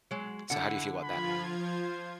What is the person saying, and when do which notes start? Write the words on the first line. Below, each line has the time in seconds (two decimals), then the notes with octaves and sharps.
So how do you feel about that now?
0.11 F#3 G#3
0.50 D3 E4 F#5
1.03 F3 F4 B5 G#6
1.64 C5